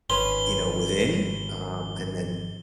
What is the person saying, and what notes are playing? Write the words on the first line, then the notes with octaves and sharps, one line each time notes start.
you know, within, um, and then
G#1 C#4 B4 C6 G7